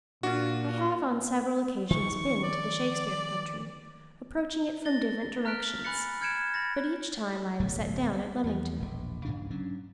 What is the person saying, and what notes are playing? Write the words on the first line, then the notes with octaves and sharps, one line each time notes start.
I have on several occasions been to the Shakespeare country, approaching it from different directions, but each time I am set down at Leamington.
A#2 D4 F4 F#4
D#3 F3 G3 C#6
D5
A6 A#6 G7
A#5 F6 F#6 B6 D7
G#5 B5 F#6 A6 C#7 G7
F6 G6 G#6 C#7 D7 E7
B5 A6 A#6
D1 B1 G2 A3
G3
E2 F3
E1 A#1
G2 C#3 D4
F#3 C#4 D4